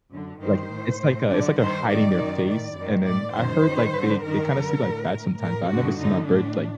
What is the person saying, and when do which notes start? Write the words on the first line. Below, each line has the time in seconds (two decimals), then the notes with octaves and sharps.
Like it's like a it's like they're hiding their face, and then I heard, like, they they kinda sleep like bats, sometimes, but I never see my bird, like,
0.11 F#2 D3
0.41 G2 D#3 C5
0.71 A2
0.99 A2
1.29 F#2 D3 D5
1.58 G2 D#3 C5
1.87 G2 D#3 D5
2.17 F#2 D#3
2.47 A2 D5
2.76 F#2 D#3
3.05 A2 D5
3.34 F#2 D#3 C5
3.63 F#2 D#3
3.93 G2 D3
4.23 G2 D#3 A#4
4.53 F#2 D3
4.82 A2
5.11 A2 A#4
5.40 A2 A#4
5.69 G2 D3 F#4
5.99 F#2 D3 D#4
6.28 A2 D4